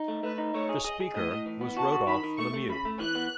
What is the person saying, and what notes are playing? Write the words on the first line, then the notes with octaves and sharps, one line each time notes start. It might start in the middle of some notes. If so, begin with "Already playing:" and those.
The Speaker was Rodolphe Lemieux.
Already playing: D#4
A3
A3 B4
D#4
A3 C#5
G#4
G#4 D#5
G#4
A2 D#5
A2
E3
B3
F#4 A5
F#4
D#3 B5
D#3
A3 C#6
A3
C#3 B5
A3
E3 F#6
B3